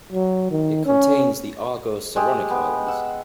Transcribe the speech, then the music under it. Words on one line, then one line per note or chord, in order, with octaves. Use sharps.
It contains the Argo-Saronic Islands.
F#3
D#3
C#4
G#3 G4
B3
F#5 E6